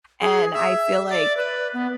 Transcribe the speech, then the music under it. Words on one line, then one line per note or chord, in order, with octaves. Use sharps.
and I feel like
G#4
E5
D5
B4
B3